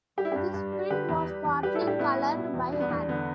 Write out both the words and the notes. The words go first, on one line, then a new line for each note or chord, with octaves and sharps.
This print was partly coloured by hand.
G3 G4
E4
G2 D4 G4
G2
G3
D3 G4 B4
E2
G3
E2
G3 G4 B4
E4 A4
A2
D4 G4
A2 B3 E4
G3
B2
E2
G3 D4
B3
E2 D4
D3 B3